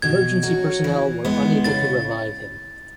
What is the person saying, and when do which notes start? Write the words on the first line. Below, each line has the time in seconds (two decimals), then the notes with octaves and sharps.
Emergency personnel were unable to revive him.
0.02 B2 G#6
0.43 F#3 C#4 F#4
0.84 E3
1.25 G#3 B3
1.64 C#3 A6